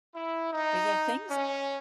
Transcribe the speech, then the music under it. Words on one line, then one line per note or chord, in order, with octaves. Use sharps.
but, yeah, things
E4
D#4
C#4